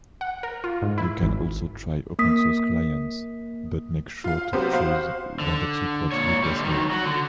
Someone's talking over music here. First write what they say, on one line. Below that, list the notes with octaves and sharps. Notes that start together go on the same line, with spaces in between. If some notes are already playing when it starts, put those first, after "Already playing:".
You can also try open source clients, but make sure to choose one that supports rootless mode.
F#5
A#4
F4
G#2
E4
G#1
A#3 D#6 B6
F4 F5
C3 F#3 B3 C5
F#4 C5 F5
D3
A#2 C#5
D3 G3
D#3 F#3
F#3 F#4
D3